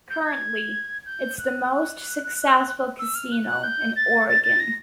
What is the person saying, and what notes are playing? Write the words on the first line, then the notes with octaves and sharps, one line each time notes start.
Currently, it's the most successful casino in Oregon.
G6
G#6
G6
F#6
F#6
E6
F6
F#6
F#6
G6
A6
A6
A6
A#6